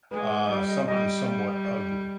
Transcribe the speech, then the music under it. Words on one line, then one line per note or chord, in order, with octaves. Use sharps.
uh, something somewhat ugly.
G#3 B4
G3 D5
D#5
G3 D#5
D5